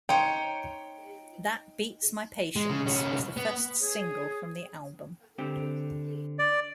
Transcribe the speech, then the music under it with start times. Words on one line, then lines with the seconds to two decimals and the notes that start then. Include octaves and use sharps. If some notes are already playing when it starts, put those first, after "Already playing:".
"That Beats My Patience" was the first single from the album.
0.09 D#4 C5 C#5 G5
2.56 G#3
2.70 C#3
2.86 C2 C#4
3.37 B3
3.80 G#4 C#5 D#6
5.38 D3 C4 G4
6.39 D5